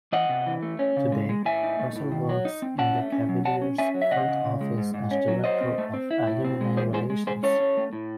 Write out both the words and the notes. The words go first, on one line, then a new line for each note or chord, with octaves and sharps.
Today, Russell works in the Cavaliers' front office as Director of Alumni Relations.
E3 D#5 F#5
C3
E3
A3
C#4
C#3
G#3
G#3
A2 E5 G#5
D#4
A3
A2
D#3
F#3
D#4
C4
C#4 F#5 A5
A3
C#4
F#3
F#3 F#5 A5
C#4
C#4 E5 G#5
F#3
E5
C#3 D#5 F#5
C#3
C#3
G#3
G#2
G#2
C#4
F#3
F#3 C5 D#5
C4
A3
C4
E4
A2
C4
G#3
E2 G#4 C5
G#3 G#4 C5
G#3
G#3 G#4 C5
C#4 A4 C#5
C#4
A3
A2